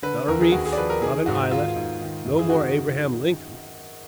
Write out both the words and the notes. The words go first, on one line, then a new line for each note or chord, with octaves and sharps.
Not a reef, not an islet. No more Abraham Lincoln.
D3 B4
D#2 A#4
G#4
D#2 F#4
G#4
D5
F3 B4
A#4
D#3 G#4
G#2 F#4
D#3 F4
G#2
D#3
F#2
G#4
D#3 F#4